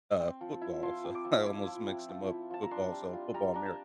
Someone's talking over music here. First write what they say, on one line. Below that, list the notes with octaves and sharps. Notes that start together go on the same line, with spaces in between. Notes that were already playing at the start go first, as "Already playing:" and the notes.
uh, football. So I almost mixed 'em up football so football Amer
C4
F3
E4
F3 C6
C4
D6
F3
E4 D6
F3
C4
F3
E4
F3 A5
A#5
D4 C6
G3
F4
G3 A#5
D4 A#5
A5